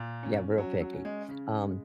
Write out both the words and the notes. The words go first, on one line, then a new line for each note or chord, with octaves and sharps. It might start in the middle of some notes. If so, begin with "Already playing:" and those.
Yeah, real picky. Um
Already playing: A#2
C#4
F#3 C#4
F#3
C#4
G#3
C#3
G#3